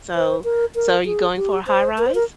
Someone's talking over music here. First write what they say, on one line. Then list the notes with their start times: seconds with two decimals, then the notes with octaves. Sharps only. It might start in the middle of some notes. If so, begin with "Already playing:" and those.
so so you going for a high-rise?
0.15 C5
0.44 A#4
0.75 A#4
1.05 G#4
1.37 G4
1.67 C5
1.98 A#4
2.06 C5
2.15 A#4